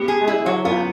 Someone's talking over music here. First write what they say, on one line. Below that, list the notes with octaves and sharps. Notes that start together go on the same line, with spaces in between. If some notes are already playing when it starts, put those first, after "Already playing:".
I would love that.
Already playing: B3 G4
G#4
E4
F#3
B3 F4